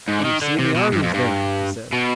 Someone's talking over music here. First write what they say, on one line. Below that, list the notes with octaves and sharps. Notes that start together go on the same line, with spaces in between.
"You've seen the armies, then?" he said.
G#2
D3
D#3
D3
C3
B2
G2
F2
G2
B2